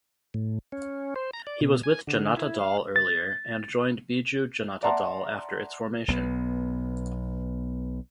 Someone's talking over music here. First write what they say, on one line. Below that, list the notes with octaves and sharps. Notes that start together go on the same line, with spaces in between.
He was with Janata Dal earlier and joined Biju Janata Dal after its formation.
A2
C#4
C5
A#5
D5
B2
G#5
D3
E4
F5
A6
D5 E5 F#5 A5 A#5 C6
B1 B3